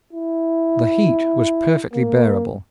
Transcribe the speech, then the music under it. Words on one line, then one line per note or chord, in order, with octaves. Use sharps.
The heat was perfectly bearable.
E4
A#3